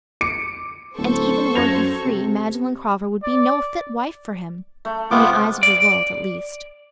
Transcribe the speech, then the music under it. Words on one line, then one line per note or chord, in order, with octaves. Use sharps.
And, even were he free, Magdalen Crawford would be no fit wife for him--in the eyes of the world, at least.
D6 C#7 D7
D1 A4 C5 C#6
F#2 G#6 A#6 F7
C3
D5
A3
C3 G#3 B3 F4 D6
D5